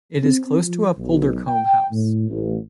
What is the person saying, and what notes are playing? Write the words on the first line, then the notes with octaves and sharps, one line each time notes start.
It is close to Appuldurcombe House.
C4
F3
B1
G5
A2
A1